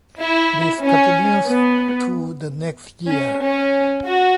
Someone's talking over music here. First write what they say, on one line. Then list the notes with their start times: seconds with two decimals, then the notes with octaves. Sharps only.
This continues to the next year.
0.18 E4
0.83 C#4
1.47 B3
3.10 C#4
3.42 C#4
4.07 F#4